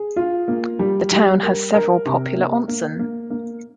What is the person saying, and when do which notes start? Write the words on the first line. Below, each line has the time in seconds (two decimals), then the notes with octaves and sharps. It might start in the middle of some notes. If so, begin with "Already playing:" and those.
The town has several popular onsen.
Already playing: G#4
0.16 F4
0.48 A#3
0.79 G3
1.11 G3
1.43 A#4
1.74 A#4
2.06 C3
2.37 A#3
2.68 A#3
2.99 A#3
3.30 A#3